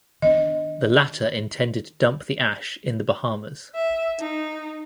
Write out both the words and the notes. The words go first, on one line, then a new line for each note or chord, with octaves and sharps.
The latter intended to dump the ash in the Bahamas.
D#3 B3 D4 D#5
E5
D#4